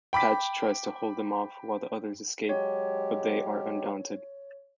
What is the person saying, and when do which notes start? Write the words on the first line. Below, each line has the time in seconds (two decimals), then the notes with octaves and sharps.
Patch tries to hold them off while the others escape, but they are undaunted.
0.13 G5 B5 D6 B6
2.49 F#3 G#3 G4 C#5